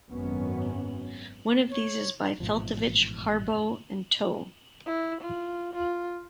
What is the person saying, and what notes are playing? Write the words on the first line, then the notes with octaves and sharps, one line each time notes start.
One of these is by Feltovich, Harbaugh and To.
G#1 F#2 B3 C#4
C#5
A1 G#2 B2 F3
E4
F4
F4